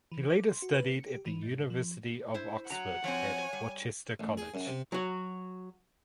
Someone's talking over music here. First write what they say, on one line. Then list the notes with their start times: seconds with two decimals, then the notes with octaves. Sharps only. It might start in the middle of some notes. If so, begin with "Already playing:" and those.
He later studied at the University of Oxford at Worcester College.
0.12 E3
0.30 D6
0.49 C6
0.62 F#4
0.74 B4
0.91 C#7
1.06 G4
1.26 E3
1.43 G#2
1.70 F3
2.34 E4 C5
2.70 F#3 F#5 A#5
3.04 F3 F#3 C4 C#5 G#5
3.53 G3
4.20 A1
4.37 G#4
4.54 F#2
4.67 C3
4.92 F#3 F#4